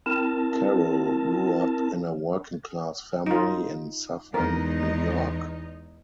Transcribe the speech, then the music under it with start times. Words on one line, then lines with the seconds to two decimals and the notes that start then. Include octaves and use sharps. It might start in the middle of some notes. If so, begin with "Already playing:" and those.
Carole grew up in a working-class family in Suffern, New York.
0.06 C4 E4 A#4 A5
3.26 D#4 F4
4.34 E2 G#3 D#4 A#4